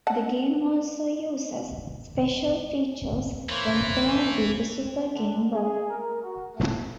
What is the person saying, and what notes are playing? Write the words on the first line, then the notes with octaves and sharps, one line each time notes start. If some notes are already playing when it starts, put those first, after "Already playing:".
The game also uses special features when paired with the Super Game Boy.
F#5 A5
E3 A#3 C5 C#5
C4
D3
G#4
A#4
F#4
A3